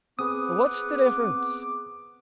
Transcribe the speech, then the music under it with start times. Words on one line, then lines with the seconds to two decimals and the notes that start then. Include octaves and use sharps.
"What's the difference?"
0.19 B3 C4 G#4 B4 D6 D#6